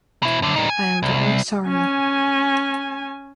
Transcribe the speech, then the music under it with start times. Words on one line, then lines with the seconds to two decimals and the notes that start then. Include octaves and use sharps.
I am very sorry...
0.22 B2 E4
0.42 F#2 D3
0.56 G3 D#4
0.70 G#5
1.03 C2
1.68 C#4 G#5